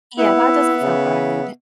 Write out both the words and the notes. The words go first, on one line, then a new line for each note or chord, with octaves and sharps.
Yeah, that doesn't feel good,
B3 E4 E5
C#3